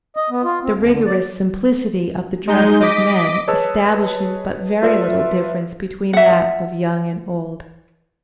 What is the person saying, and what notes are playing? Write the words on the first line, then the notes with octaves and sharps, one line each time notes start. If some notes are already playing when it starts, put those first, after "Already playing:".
The rigorous simplicity of the dress of men establishes but very little difference between that of young and old.
D#5
B3
F4
C4
D2
D3
D5
G#3 D#4 G6
D#5 D6 B6
G#4 B4 C#5 D#5 A5 E6
F4 A4 B4 D5 E5
E5 F#5